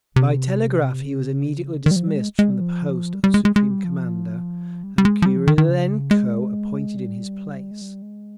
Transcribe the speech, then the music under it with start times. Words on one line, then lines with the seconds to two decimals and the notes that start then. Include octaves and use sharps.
By telegraph he was immediately dismissed from the post of Supreme Commander, and Krylenko appointed in his place.
0.16 C3
1.01 C#3
1.86 D#3
1.91 G3
1.96 F3
2.07 G3
2.18 G#3
2.39 G#3
2.50 G3
2.61 F3
3.14 G3
3.24 G3
3.34 G#3
3.45 G#3
3.56 G#3
3.71 G3
3.84 F3
4.84 G3
4.98 G3
5.05 G#3
5.22 F3
5.26 G3
5.37 F3
5.48 D#3
5.58 D#3
5.69 C#3
6.11 G#3
6.97 G3
7.71 G#3
7.81 G3
8.02 G#3